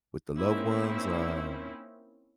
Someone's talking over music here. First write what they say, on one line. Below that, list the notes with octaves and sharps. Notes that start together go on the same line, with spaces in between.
with the loved ones, um
A#3 C4 C#4 D#4 E4